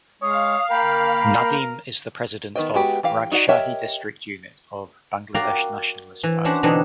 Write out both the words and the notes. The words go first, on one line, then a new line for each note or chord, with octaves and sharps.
Nadim is the President of Rajshahi District unit of Bangladesh Nationalist Party.
G#3 C#5 F5 D#6
A#3 A#4 G5 B5
D#3 B3 B4 D#5 G5
G#3 B3 F#4 G4
E3 G4 F5
D#4 F#4 D5 F#5
G4 A#4 C#5 D#5 E5
F#4 A#4 D5 F5 G5
E3
C#4 D4 F#4 C5
B2 D3 E3 C4 D4 D#4